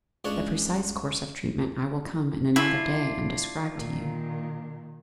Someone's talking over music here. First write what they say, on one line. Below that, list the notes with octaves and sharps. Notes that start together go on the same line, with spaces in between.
The precise course of treatment I will come in another day and describe to you.
C#2 D4 C#5
D4 E4 F4
A#2 D#3